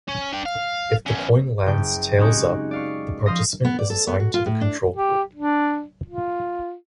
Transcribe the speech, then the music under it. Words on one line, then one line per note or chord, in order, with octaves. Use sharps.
If the coin lands tails-up, the participant is assigned to the Control Group.
C#4
D4 G5
F5
E2 C#4
F#1 G5
G#3 C4 C#4 D#4 F#4 G4
D5 F5 C#6
F3 F5 C6 D#6 A#6
B3
D5
A4
B3
F#4
F4
A2
D4
G4
D4
F4